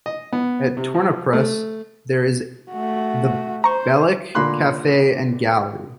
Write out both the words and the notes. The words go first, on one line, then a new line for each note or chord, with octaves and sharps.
At Tornapress there is the "Bealach Cafe and Gallery".
D#5
B3
C3
F3
A3
A3 F#4
C5 A#5 C#6
A#2 D3 A#3 B5 C6 F#6